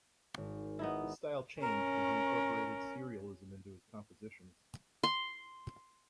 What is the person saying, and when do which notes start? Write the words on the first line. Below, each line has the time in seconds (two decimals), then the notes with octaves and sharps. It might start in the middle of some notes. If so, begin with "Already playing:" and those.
His style changed as he incorporated serialism into his compositions.
0.38 G#1
0.79 B3 D#4 E4
1.61 C#4 A#4
5.03 C6